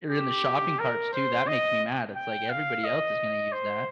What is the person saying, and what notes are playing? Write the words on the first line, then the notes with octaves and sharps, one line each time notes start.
or in the shopping carts too, that makes me mad, it's like everybody else is gonna use that.
G4
A#4
C5
D#5
G5
F5
D#5
C5